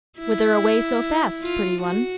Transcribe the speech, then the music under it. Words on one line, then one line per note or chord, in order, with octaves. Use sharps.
"Whither away so fast, pretty one?"
E4
F4
F#4